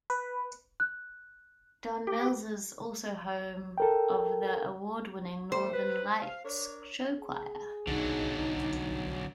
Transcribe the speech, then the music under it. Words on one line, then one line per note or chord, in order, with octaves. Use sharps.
Don Mills is also home of the award-winning Northern Lights Show Choir.
B4
F#6
G4
A4 A#4 G5
E2 G3 A3 C5
B4
F5
D4 A#4 C#5
G#4
B1 D3 F#3 D#4